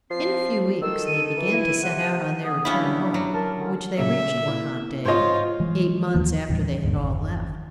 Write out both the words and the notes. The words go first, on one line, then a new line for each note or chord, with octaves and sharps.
In a few weeks they began to set out on their return home, which they reached one hot day, eight months after they had all left.
F3 C4 C7
D#3 A4 E6
D#7
E3
E4
C3 F#5
B3 G#4
B3 C#4 D4 E4 F5 B5
G3 A#3 G4
F#3
A#4 A5
D3 D#3 C#4
A#2 C#3 A#3 E5
A#3 E4
G#2 F4 C5 C#5 D#5 C6
E3 G#3
D#2 D#3 A#3
D#2 A2 E3 G3
D2 G2 A#2
G1 E2 D#3